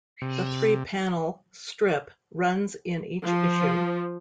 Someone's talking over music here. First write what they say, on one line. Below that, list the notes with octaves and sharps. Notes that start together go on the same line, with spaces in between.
The three panel strip runs in each issue.
C3
F3